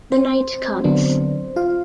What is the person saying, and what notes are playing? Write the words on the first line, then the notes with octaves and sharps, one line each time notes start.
The night comes.
C4 C5
D3 F#3 B3 D4
F4 F5